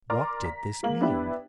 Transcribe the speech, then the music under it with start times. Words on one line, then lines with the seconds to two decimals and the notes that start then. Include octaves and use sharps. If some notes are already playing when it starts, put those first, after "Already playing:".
What did this mean?
0.10 A#4 D5 A#5 C6 D6 F6
0.44 A#5 B6
0.83 G#3 A#3 F#7
1.01 B3 D4 E4 G4 B4